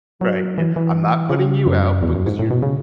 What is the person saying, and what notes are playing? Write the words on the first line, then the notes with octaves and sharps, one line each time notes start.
Right, yeah, "I'm not putting you out because you're"
F#3
E3
E3
C#3
F#2
E2
F#2
G#2
A2
B2
C#3